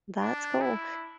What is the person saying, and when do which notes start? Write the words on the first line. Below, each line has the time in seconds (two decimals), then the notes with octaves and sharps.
That's cool.
0.20 D4
0.61 E4